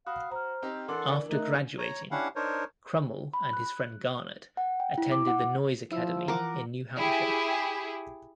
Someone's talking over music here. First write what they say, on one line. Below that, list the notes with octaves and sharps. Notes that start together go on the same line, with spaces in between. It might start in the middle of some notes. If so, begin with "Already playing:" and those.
After graduating, Crummell and his friend Garnet attended the Noyes Academy in New Hampshire.
F#4 F5 B5 D#6 F#6
C5 A#5 F6
C4 D#4 G4
E3 D4 A4 A#4 F#5 C6 D6
D5
A3 D#4 A#4 F#6
C#5 A#5
C#4 D4 E4 G4 F5 F#5
D4 D#4 A#4 C5 C#5
B5
F#6
F#5
G5
E4
D6
F#5
F3 E4 E6
E3 F4 A#4 F#5 D6
E4 G4 G#4